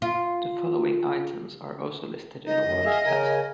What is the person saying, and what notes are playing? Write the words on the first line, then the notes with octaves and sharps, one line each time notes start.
The following items are also listed in WorldCat.
F4
D#4 D#5
F#2
G#4 E5 F5
C#3 A#4 G#5